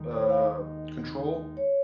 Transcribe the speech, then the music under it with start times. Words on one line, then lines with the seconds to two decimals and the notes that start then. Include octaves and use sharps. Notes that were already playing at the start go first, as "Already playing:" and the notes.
uh, control
Already playing: D#2 D#3 G#3 D#4
0.11 C5
0.30 F5
0.40 D#5
1.57 C#5